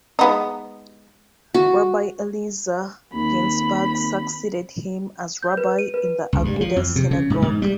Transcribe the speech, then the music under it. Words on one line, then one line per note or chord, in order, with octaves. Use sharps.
Rabbi Eliezer Ginsburg succeeded him as rabbi in the Agudah synagogue.
G#3 B3 D#4
F#4
D#2 C4 B5
G6
B4
D#7
B4
C#2
G2
F3
F2
C3
C#3
G#2
G#2
G3